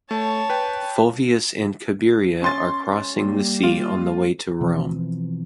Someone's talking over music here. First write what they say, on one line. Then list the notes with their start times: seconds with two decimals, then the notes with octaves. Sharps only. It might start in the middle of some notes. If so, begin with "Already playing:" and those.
Fulvius and Cabiria are crossing the sea on the way to Rome.
0.11 A3 C#5 A5
0.50 B4 G5
2.42 C#4 C6 A6
3.14 G3 A#3
3.63 F4
4.61 B2 E3 F3 C4